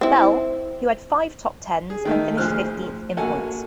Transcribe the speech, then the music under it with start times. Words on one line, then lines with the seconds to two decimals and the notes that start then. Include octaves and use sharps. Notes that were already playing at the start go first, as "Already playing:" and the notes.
Bell, who had five top-tens and finished fifteenth in points.
0.01 C4 E4
1.90 G#4
2.05 D#3 A3 D#4
2.37 D2 F3 G#4 C5 F6 F#6
3.17 A#1 A#2 F#4 A4 F#5 G#5